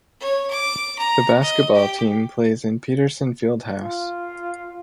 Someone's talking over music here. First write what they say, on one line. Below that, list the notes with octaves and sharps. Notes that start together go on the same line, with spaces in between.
The basketball team plays in Peterson Fieldhouse.
C#5
D6
A#5
D#5
G4
F4